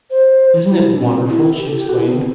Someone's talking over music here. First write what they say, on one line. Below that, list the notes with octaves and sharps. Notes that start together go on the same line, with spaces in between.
"Isn't it wonderful!" she exclaimed.
C5
E4
D4
C4
E4
G4
A4
G4
F#4
E4
B3
C4